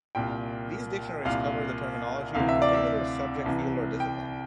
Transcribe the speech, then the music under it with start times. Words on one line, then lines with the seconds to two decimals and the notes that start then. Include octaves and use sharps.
These dictionaries cover the terminology of a particular subject field or discipline.
0.15 C2 A#2 G5
1.25 C2 A#2 F5
2.35 D2 C3 E3 F5
2.49 E5
2.62 D5
2.74 E5
3.46 C2 C3 E3
4.00 G5